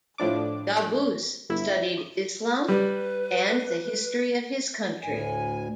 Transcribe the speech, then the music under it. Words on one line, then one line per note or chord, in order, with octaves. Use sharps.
Qaboos studied Islam and the history of his country.
A2 F3 D4 D6
G1 E4
G3 B4
D2 A2 G#5